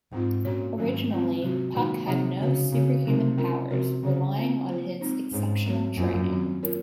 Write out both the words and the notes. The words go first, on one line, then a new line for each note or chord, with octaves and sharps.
Originally, Puck had no superhuman powers, relying on his exceptional training.
G#2 G#3 C4 F4
A#2 C#4 F#4 C#5
G#2 D#3 F#3 A#3 C#4
G#3 C4 F4
C3 F#3 C4 F#4
A#2 D#3 G#3 D#4 F#4
C3 F3 C4 D#4 G#4
C#3 C#4 F#4 C#5
C#3 C4 F#4 C#5
C3 F#3 C4 D#4 A#4
G#3 C#4 F4 A#4
C3 F3 C4 F#4 A#4
C#3 C#4 G#4 C5
C4 F4 C5
A#3 F4 C5
G#3 C4 D#4
G#2 C#4 G#4 C#5
F#3 C4 F#4 C#5
F#2 A#3 F4 C5
D#3 F#3 C4
A#3 F4 A#4 C#5